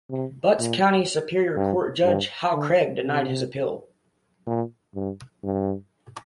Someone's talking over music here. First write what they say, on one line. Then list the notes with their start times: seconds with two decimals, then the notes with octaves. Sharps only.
Butts County Superior Court judge Hal Craig denied his appeal.
0.10 C3
0.59 A#2
1.56 G2
2.04 G2
2.53 D3
3.02 C3
4.47 A#2
4.95 G2
5.44 G2